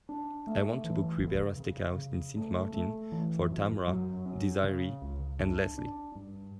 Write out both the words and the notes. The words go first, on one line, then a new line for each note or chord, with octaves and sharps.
I want to book Ribera Steakhouse in Sint Maarten for tamra, desiree and lesley.
D4
A3
E3
C#3
C#3
C#3
A3
A3
E3
F#2
F#3
C#4
C#3
C#2
D4
D4
G2